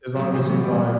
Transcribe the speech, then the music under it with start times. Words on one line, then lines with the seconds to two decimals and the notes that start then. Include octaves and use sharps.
as long as you like
0.16 A2 F3 F#3
0.34 E3 F3
0.49 A2 F#3
0.63 E3 G3
0.77 E3 F#3